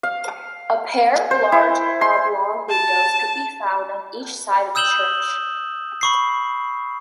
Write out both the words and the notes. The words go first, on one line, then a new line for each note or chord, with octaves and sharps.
A pair of large oblong windows could be found on each side of the church.
F5
C5
E4
C6
A5
D#6 E6 G6 E7 F#7 G7
B5 C#6 C7